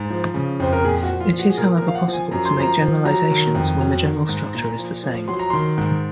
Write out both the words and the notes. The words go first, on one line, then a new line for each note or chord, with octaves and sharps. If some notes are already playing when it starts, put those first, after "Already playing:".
It is however possible to make generalizations when the general structure is the same.
Already playing: G#2
F3
C#3
F2 C5
A#4
A#2 G#4
F#4
F3
F4
F3
F#4
G#4
A#2 A#4
A#4
F3
F5
F#5
F3
G#5
F#2 A#5
C6
F3 A#5
F3
F#3 A#5
D#3
F2
F#3
D#3
G#2
A#2 A#5
F3
F3
F#3 C6
A#5
D#3 C6
G#2